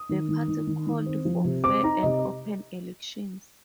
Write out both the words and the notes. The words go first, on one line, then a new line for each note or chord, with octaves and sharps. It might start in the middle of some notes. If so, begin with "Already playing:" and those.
The party called for fair and open elections.
Already playing: D#6
D#3
D#3
D#3
D#3
D#3
C4
F3
C3
C4 D6
D#4 A#5
C3 D#5